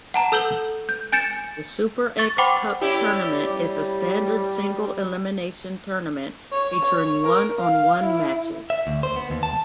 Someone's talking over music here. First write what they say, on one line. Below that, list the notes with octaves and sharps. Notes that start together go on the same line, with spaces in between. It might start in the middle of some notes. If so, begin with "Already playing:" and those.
The Super X Cup tournament is a standard single-elimination tournament featuring one-on-one matches.
F#5 A5 A#5
A4 E6 G6 F#7 G7
G6
G#5 G6 A6 C#7 E7
C#6 A6
C5 F#5 G5 B5 C6 D6
C#4 E4 G4 D5
G3
C#5
C#5
A#4
F5
E4
E5
D2
C5
B3
D#2
A5